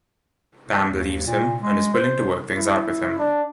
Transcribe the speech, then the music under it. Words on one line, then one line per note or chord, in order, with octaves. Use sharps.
Pam believes him, and is willing to work things out with him.
D#2
A#2
G#3
C5
E4
D4